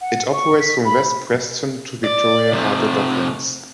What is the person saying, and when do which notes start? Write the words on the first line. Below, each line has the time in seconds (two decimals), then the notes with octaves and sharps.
It operates from West Preston to Victoria Harbour Docklands.
0.01 F#5
0.33 C#6
0.60 B6
0.85 B5
2.04 D5
2.53 C3 A3